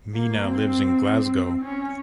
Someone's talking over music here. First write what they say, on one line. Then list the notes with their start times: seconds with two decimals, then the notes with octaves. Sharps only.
Mina lives in Glasgow.
0.14 A#3
0.44 C4
1.62 C#4